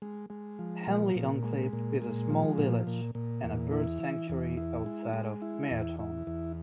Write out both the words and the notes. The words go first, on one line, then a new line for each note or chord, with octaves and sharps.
Henley on Klip is a small village and a bird sanctuary outside of Meyerton.
G#3
G#3
F3
A#2
A#2
G#3
A#2
G#3
F3
A#2
A#2
A#2
E2
E4
E3
E2
E4
G#3
G#3
E4
E2
E4
E2